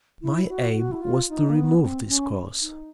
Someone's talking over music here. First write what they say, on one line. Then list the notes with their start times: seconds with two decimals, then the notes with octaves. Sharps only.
My aim was to remove this cause.
0.22 E4
0.49 F#4
0.76 F#4
0.92 E4
1.02 F4
1.29 D#4
1.49 A#3
1.55 B3
1.82 C4
2.09 C#4
2.62 D#4